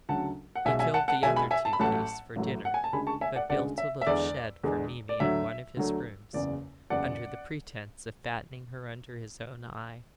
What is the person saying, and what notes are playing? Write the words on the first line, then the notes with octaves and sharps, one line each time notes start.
He killed the other two geese for dinner, but built a little shed for Mimi in one of his rooms, under the pretence of fattening her under his own eye.
D2 C#3 F#3 F#5 A5
F#5
B1 B2 G#3 E5 G#5
E5 G#5
F#5 A5
F#5 A5
B1 B2 G#3 E5 G#5
G#5 B5
E5 G#5
A5
B5
A1 A2 F#3 A3 F#5 A5
A1 A2 F#3 A3
F#5
G#5
A5
D2 C#3 G#3 G#5 B5
A5 C#6
E5 G#5
D5 F#5
D2 C#3 G#3 D5 F#5
E5
E5
E2 D3 G#3 D5
E2 D3 G#3
D5
D2 D3 F#3 A3 E5
D2 D3 F#3 A3
F#1 E2 C#3 D5
F#1 E2 C#3 D5 F#5